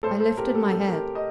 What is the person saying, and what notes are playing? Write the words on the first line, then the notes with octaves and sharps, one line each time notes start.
I lifted my head.
A2 A4 C5
A4 C5
G4 A#4
A4
A2 A4
G4 A#4
D#5